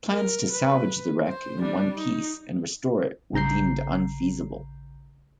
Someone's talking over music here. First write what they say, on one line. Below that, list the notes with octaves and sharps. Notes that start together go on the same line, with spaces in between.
Plans to salvage the wreck in one piece and restore it were deemed unfeasible.
A#4
B4
C5
G3 D4
D#4
A1 C#3 A#5 G6 C7